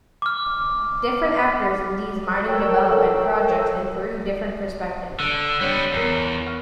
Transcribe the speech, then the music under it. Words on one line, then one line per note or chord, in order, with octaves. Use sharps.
Different actors in these mining development projects in Peru different perspectives.
D6 F6
A4 A#4 C#5 G5 E6
D3
G3 B3 C#5
E2 A#4 A#5
F#5 C#6 F6